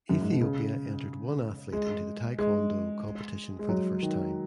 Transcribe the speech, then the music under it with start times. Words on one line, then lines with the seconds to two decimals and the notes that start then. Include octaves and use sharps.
Ethiopia entered one athlete into the taekwondo competition for the first time.
0.09 F#2
0.21 G#2
0.31 B2
0.41 C#3
1.72 G#3
2.38 G#3
3.59 G#3
3.69 F#3
4.02 D#3